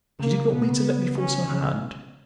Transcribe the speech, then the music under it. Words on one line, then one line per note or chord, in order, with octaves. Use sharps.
She did not wait to let me force her hand.
C#3 A#3
B2 B3
C#3
C#4
C#3